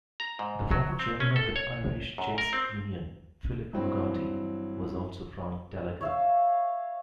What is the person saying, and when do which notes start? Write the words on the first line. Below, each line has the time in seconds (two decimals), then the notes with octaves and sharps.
The former Chairman of the Irish Chess Union, Philip Hogarty, was also from Tallaght.
0.20 A#5
0.39 G#2
0.71 F#3
0.99 C4
1.20 C#4
1.36 A4
1.56 C#5
2.18 F#2
2.38 A#4
2.53 C4
3.73 G2 E3 F#3 C4
6.01 C#5 E5 F5